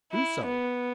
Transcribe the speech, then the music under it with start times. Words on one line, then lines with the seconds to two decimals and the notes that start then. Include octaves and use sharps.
"Do so."
0.12 E4
0.45 B3